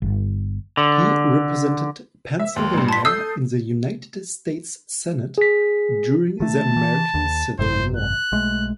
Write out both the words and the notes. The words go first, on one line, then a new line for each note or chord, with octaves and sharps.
He represented Pennsylvania in the United States Senate during the American Civil War.
G1
D3
E5
D#2 C6
A1 G2
A5 C6 B6
A4 D#6 E6 G6 C7
G#4 B6
D#3 A3 A5
E3
D#2
G#1 F#2 C3 C5
F#6
B1 G#3 A3